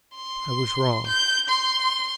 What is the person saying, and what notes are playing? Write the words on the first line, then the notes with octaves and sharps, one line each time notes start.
I was wrong.
C6
G6
C6